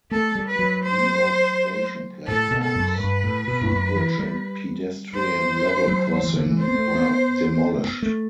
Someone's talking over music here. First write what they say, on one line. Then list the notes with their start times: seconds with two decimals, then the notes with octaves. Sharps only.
The old station platforms, footbridge and pedestrian level crossing were demolished.
0.11 A3 A4
0.35 G3
0.48 B4
0.59 F#3
0.84 C5
2.27 A2 A4
2.51 B2
2.63 A4
2.76 F#2
2.99 G2 B4
3.24 A2
3.48 B2
3.61 G2
3.72 F#2
3.96 E3
4.19 G3
5.15 C5
5.88 F#3
6.24 E3
6.34 D3
6.46 E3
6.58 A3 C5
6.68 B3
6.75 A3
6.95 B3
8.02 A3